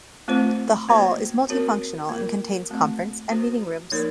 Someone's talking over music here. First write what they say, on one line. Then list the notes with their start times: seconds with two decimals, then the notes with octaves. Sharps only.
The hall is multifunctional and contains conference and meeting rooms.
0.28 A3 C4 F4 C5
0.89 A#3 C#4 F#4 C5
1.49 C4 F#4 A#4 C#5
2.09 A#3 F4 A#4
2.70 A3 C4 F#4
3.31 C#4 F#4 C5
3.91 F3 A#3 D#4 A#4 C#5